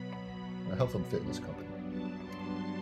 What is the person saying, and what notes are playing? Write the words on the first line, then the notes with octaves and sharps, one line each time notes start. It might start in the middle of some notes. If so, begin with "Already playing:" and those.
A health and fitness company.
Already playing: B2 F#3 B3 B5
G2 F#3 B3 D4
A5
C6